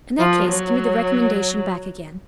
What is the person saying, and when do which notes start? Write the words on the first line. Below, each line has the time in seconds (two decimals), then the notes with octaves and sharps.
"In that case give me the recommendation back again."
0.19 F3
0.48 F#3